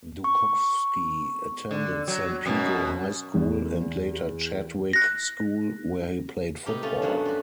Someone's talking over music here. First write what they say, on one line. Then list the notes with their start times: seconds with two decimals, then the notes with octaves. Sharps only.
Dukowski attended San Pedro High School and later Chadwick School, where he played football.
0.24 C#6
1.71 D3
2.08 F#3
2.46 F#2 B2
3.35 E2
4.93 F#6 A#6
6.65 C3 B3 D#4 G4 A#4
6.83 A3 C#4 F4
7.02 G2 F#3 B3 F#4 F#5
7.25 G3 F#4